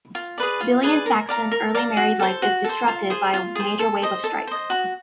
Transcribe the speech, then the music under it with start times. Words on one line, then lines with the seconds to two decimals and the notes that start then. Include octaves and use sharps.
Billy and Saxon's early married life is disrupted by a major wave of strikes.
0.15 F4
0.38 G#4 B4 D5
0.60 F4
0.83 G#4 B4 D5
1.06 A#4
1.29 D5 F5 A#5
1.51 A#4
1.75 D5 F5 A#5
1.97 F#4
2.19 A4 C5
2.42 F#4
2.64 A4 C5
2.88 F4
3.10 G#4 C5
3.34 F4
3.55 G#4 C5
3.79 A4
4.02 C5 D#5
4.24 A4
4.47 C5 D#5
4.70 F#4